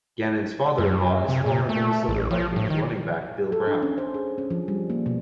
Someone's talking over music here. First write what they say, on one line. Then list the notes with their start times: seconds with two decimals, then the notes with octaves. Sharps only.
Gannon's father-in-law is former Minnesota Vikings running back Bill Brown.
0.78 F#2
1.28 C3
1.46 A#2
1.69 A3
2.08 A1
2.31 F3
2.56 A2
2.70 D#3
3.52 A4
3.67 D4
3.82 C#4
3.98 C5
4.14 G#4
4.38 C#4
4.50 F3
4.68 G3
4.90 A#3
5.06 B2